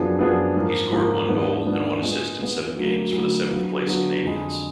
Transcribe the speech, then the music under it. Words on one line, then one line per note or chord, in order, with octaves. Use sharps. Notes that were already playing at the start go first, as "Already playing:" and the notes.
He scored one goal and one assist in seven games for the seventh-place Canadians.
Already playing: F#2 F3 B3 D4 G#4
F#2 F3 B3 D4 G#4
G#2 F3 A#3
G#2 F3 A#3
G#2 F3 B3 D4
G#2 F3 B3 D4
A#2 G#3 B3
A#2 G#3 B3
D2 D3 F#3 A#3
D2 D3 F#3 A#3
D3 F#3 B3 F4
D3 F#3 B3 F4
F2 D3 G#3